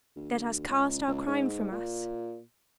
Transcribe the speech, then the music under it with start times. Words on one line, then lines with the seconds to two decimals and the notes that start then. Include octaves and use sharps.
Let us cast our crime from us.
0.16 D2
0.69 C#2
1.08 C#2
1.27 G#2
1.72 A#2